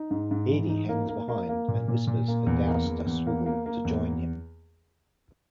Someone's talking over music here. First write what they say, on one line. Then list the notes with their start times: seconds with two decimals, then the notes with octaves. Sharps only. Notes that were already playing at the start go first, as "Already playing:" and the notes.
Edie hangs behind and whispers for Douster-swivel to join him.
Already playing: D#4
0.11 G#2
0.31 G#2
0.51 E3
0.69 D#4
0.89 A#3
1.09 A#3
1.28 A#3
1.49 A#3
1.68 A#2
1.88 A#2
2.07 A#2
2.28 A#3
2.47 E2
2.67 A#3
2.86 E2
3.06 E2
3.26 A#3
3.46 A#3
3.66 A#3
3.85 E2